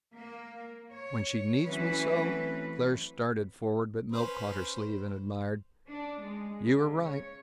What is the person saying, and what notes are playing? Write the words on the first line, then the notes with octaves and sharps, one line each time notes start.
When she needs me so?" Claire started forward, but Milt caught her sleeve, and admired, "You were right!
A#3
C#5
E3 F#3 A3 C4 C#4 B4
C#4 B4 C5
D4
G#3
C#3
C#5